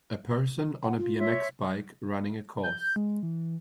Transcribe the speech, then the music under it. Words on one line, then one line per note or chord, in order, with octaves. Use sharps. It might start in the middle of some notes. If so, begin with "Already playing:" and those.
A person on a bmx bike, running a course.
F#5
F4
C#5 E5 C6
G6
G#3
E3